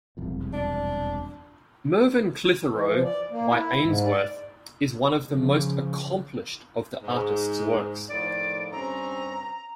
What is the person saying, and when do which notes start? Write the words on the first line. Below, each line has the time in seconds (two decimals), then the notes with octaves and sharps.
"Mervyn Clitheroe" by Ainsworth is one of the most accomplished of the artist's works.
0.17 E1 C2 F2
0.53 D4
2.71 E3
2.84 F3
3.04 D5
3.31 A#3
3.52 E4
3.81 G#2
4.05 D5
5.27 C#3 F3
7.01 G#2
8.08 A2 D#3 F3 D5
8.72 G2 C4 C#4 A#5